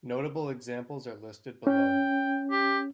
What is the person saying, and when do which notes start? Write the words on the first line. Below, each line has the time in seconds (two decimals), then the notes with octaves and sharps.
Notable examples are listed below.
1.67 C#4 G5
2.51 G4